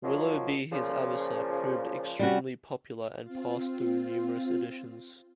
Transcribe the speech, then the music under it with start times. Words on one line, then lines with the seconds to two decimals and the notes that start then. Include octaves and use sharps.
"Willobie his Avisa" proved extremely popular, and passed through numerous editions.
0.04 D#3 F3 F#3
0.72 A#2 C#3 F3
2.19 G3 C#4 F#4
3.24 C4 F4